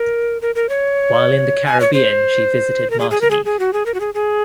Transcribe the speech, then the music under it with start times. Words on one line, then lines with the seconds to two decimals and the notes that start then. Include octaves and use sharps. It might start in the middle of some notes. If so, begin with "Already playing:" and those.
While in the Caribbean, she visited Martinique.
Already playing: A#4
0.42 A#4
0.55 A#4
0.69 C#5
1.66 G#5
1.80 C#5
1.94 C5
2.90 A#4
3.00 G#4
3.11 G#4
3.21 A#4
3.31 G#4
3.45 G#4
3.59 F#4
3.73 G#4
3.86 A#4
3.94 F#4
4.00 G#4
4.14 G#4